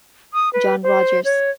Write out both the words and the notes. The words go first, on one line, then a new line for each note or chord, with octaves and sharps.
John Rogers.
D#6
B4
C5
C#5